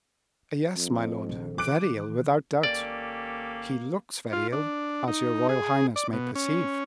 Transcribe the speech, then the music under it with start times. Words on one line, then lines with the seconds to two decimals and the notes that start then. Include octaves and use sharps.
"Yes, my lord, very ill, without doubt; he looks very ill, as your royal highness may perceive."
0.76 F2
1.29 A#1 D#3
1.58 D#3 E3 D6 F#6 D7
2.63 G#1 A#3 C#4 G4 A4 D5
4.32 F4
4.53 D4
5.08 D#4
5.49 G#4
5.96 D5
6.13 B2
6.35 C#4